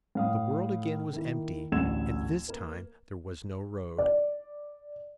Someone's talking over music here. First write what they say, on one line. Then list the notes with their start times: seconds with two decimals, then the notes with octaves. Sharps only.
The world again was empty, and this time there was no road.
0.15 A2 F5 D#6
1.13 D#3 A#3 E4
1.72 A1 D2 E6 G#6 E7
2.48 A#3 A#4 B4
3.98 D5